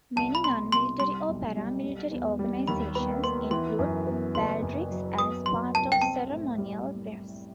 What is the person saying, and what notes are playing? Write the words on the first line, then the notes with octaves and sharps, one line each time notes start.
Many non-military or paramilitary organisations include baldrics as part of ceremonial dress.
C2 A5
B5
B2 C6
C2 C6
G3 C6
B1
G3
G3
E2
G3
D#2 B5
B3 B5
B3 C6
E3 C6
F#2
B3
F#1 C6
F#2
F#3
B3 D#6
F#3 C6
C2 A5
G5
C4 A5
A2
G3